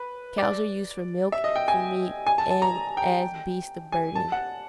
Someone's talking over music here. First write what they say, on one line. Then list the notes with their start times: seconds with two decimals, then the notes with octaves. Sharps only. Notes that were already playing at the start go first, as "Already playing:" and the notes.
Cows are used for milk, for meat, and as beasts of burden.
Already playing: B4
0.38 D5
1.32 E5
1.44 D#5
1.56 G5
1.68 G#5
2.27 G#5
2.38 A5
2.50 A5
2.62 A#5
2.97 G5
3.92 G#5
4.16 A5
4.32 F#5